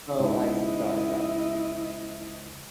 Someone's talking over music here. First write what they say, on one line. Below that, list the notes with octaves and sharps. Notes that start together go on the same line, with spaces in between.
Oh, I see, got it, got it.
C#2 G#2 E4 D#5